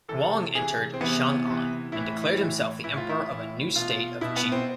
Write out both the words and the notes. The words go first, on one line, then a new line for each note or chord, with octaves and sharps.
Huang entered Chang'an and declared himself the emperor of a new state of Qi.
C3 E3 A4
C3 E3 G#4
C4
C3 E3 B3
C3 E3
A2 E3 E4
A2 E3
A2 E3 E4
F4
E4
A2 E3
B2 F4
B2 E4
B3
C4